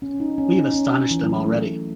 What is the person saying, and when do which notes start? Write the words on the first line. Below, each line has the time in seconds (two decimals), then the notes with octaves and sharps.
We have astonished them already.
0.02 C#4
0.20 D#4
0.38 C#4
0.56 D#4
0.74 C#4
1.11 E3
1.23 F#3
1.35 G#3
1.46 A3